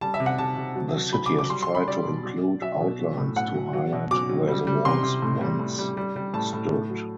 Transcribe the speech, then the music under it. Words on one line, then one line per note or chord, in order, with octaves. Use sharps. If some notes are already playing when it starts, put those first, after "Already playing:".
The city has tried to include outlines to highlight where the walls once stood.
G3 A5
E5
C3
F#5
C3 A5
C3
F#3
F#3
F#3 B5
D6
F#3
D6
G3 C6
C6
G3
B5
G3 D5
B2
F#3
F#3
F#3 E5
B2
F#3
A2
A2 F#5
F#3
F#3
B2
F#3 D6
F#3
G3
G3
C3 C6
C3
A2
G3
A2
G3
G3
G3
A2 A5
A2
A2
F#3